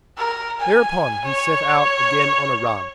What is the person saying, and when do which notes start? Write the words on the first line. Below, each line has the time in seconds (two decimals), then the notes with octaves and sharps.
Thereupon he set out again on a run.
0.17 A#4
0.60 G#5
1.24 C#5